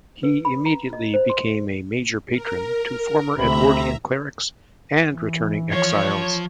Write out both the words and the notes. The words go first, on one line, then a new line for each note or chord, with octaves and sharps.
He immediately became a major patron to former Edwardian clerics and returning exiles.
B4
B5
A#5
D#5
C5
C6
A#4
D2 C3 E5 A#5 B5
E3
F3 C#5